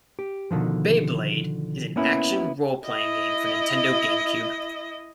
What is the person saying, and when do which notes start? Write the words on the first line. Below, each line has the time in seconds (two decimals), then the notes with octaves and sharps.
"Beyblade" is an action role-playing game for Nintendo GameCube.
0.19 G4
0.51 B2 D3 D#3 F3
1.96 A#3 B3 C#4 E4
2.87 E4 D#5